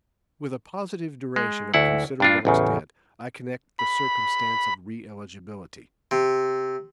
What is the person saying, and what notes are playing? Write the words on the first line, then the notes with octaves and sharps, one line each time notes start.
With a positive duration of considerable extent, I connect the circumstance of re-eligibility.
G#3
D2 E4 F#5
G2 D4 F4
A1 E2 C#3
B5
C3